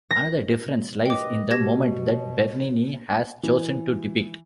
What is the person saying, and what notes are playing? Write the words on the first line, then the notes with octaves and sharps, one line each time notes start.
Another difference lies in the moment that Bernini has chosen to depict.
A#6
D#2 B4 D#5 G5 D6
B2 G4 G#6 A#6
E3